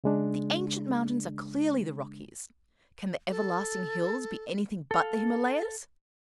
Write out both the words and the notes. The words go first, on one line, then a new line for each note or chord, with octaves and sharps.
The ancient mountains are clearly the Rockies; can the everlasting hills be anything but the Himalayas?
C#3 G#3 D4
A4
A4 F5